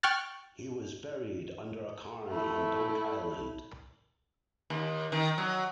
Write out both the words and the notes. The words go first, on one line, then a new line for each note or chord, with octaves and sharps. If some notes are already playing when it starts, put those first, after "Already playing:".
He was buried under a cairn on Dunk Island.
G5 C#6 F6 F#6 A6
A3 E4
D#2
D#3
F#3